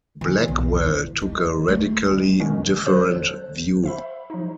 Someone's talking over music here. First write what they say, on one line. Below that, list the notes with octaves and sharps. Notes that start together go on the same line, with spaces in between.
Blackwell took a radically different view.
E3
B1
E3
D#4
A3
G3
B2 D3 D#3 G#3 C#4
F#3 A4 C5 F#6
C5 E5 B5
F3 D#4